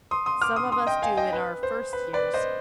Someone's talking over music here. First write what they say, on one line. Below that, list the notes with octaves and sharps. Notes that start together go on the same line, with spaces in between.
'Some of us do in our first years.
C6 D#6
C6 D#6
D6 F6
C6 D#6
C6 D#6
D#5 G5
F5 G#5
D#5 G5
B4
C5
B4
B4 D5
C5 D#5